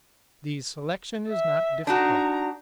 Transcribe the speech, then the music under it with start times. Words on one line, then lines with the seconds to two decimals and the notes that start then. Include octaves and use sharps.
The selection is not difficult.
1.29 E5
1.87 D4 D#4 F#4 A#5